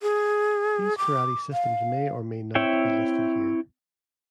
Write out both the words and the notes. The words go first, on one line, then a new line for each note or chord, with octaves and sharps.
These karate systems may or may not be listed here.
G#4
D6
F5
C4 E4 C#5 E5 G5